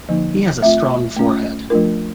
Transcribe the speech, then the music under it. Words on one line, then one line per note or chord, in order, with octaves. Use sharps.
He has a strong forehead.
D3 F3 A#3 D#4
A3 C4 F4 E5
A3 C#4 F4
F3 A3 D4 F4 A#4